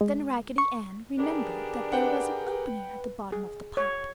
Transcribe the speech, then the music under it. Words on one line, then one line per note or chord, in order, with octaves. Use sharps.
Then Raggedy Ann remembered that there was an opening at the bottom of the pipe.
G#3
C#6
D#3 B3 D4 G4 G#4 A#4
B4 F#5 G5
G#4
C#5